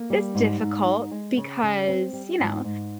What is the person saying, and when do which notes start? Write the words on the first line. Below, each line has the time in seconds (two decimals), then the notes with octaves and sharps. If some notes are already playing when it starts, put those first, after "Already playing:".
is difficult because, you know,
Already playing: A#3
0.10 G3
0.35 G#2
0.60 G#2
0.86 D#4
1.11 G#3
1.37 C#3
1.63 C#3
1.88 C4
2.13 G3
2.40 G#2
2.64 G#2